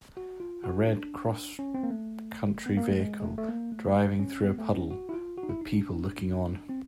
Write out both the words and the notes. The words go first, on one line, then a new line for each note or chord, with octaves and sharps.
A red crosscountry vehicle driving through a puddle with people looking on.
F#4
F4
F#4
D4
C#4
C4
A#3
A3
B3
A#3
A3
G#3
G#3
A3
A3
A#3
A3
C#4
B3
A3
C#4
F#4
E4
F4
F#4
D#4
E4
D#4
D4
C4